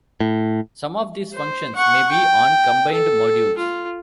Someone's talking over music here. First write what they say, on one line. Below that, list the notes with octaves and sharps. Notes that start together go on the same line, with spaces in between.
Some of these functions may be on combined modules.
A2
C5
F#5 C#6
G5
A4
F4